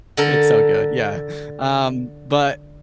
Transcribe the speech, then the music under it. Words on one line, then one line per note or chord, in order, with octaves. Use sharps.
it's so good, yeah. Um, but
D3 A4 A#4